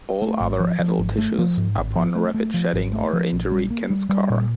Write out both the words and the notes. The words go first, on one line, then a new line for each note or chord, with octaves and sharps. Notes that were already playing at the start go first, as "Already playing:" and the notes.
All other adult tissues, upon rapid shedding or injury, can scar.
A3
G#1
F3
F3
G#1
A3
F3
G#2
G#1
F3
A3
A3
F3
G#1
A3
F3
A#1
G3
A#3
G3
G3
A#2